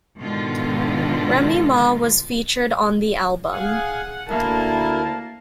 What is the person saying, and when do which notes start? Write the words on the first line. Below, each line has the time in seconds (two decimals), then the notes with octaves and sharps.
Remy Ma was featured on the album.
0.20 G#2 B2 D3 D#3 F4
3.53 G#4 F5 F#5 G#5
4.29 D2 A#3 E4 A#4 A5